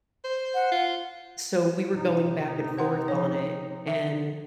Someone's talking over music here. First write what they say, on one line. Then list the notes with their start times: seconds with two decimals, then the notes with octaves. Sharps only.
so we were going back and forth on it, and
0.24 C5
0.55 F#5
0.72 F4
1.91 C3 D#4
2.77 C5 F#5 C6
3.08 F3 C#5
3.87 E5